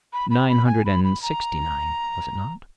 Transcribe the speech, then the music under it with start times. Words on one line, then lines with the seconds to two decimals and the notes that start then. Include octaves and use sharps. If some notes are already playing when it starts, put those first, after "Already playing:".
"Nine hundred and sixty-nine, was it not?" I asked.
0.13 B5
0.30 B5
0.48 B5
0.66 G#5
0.85 B5
1.04 B5
1.22 A#5